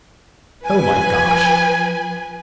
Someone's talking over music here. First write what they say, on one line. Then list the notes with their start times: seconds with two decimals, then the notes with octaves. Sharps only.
"Oh, my gosh!"
0.64 F3 B4 G#5